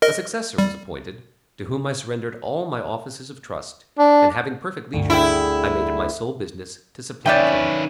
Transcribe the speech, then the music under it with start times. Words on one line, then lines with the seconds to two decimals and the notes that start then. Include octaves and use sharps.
A successor was appointed, to whom I surrendered all my offices of trust, and having perfect leisure, I made it my sole business to supplant him.
0.02 A#4 D#5
0.58 G3
3.98 D4
4.93 D2 G2
5.10 E4 G#4 G5
7.26 D#3 C#4 B4 D5 E5 G5